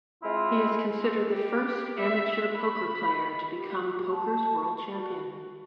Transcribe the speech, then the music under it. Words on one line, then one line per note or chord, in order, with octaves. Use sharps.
He is considered the first amateur poker player to become poker's World Champion.
G#3 C4 E4 F4
G4
E5
B5
G4
A5
F#4